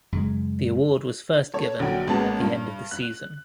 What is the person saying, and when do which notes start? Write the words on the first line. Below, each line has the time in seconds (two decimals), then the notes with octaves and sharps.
The award was first given at the end of the season.
0.12 F#2 C#3 G#3
1.54 A4 C#5
1.79 A#1 D3 F#3 F#4 G5
2.07 A1 G#3 A#3 B3 A5
2.40 G2
2.91 F#6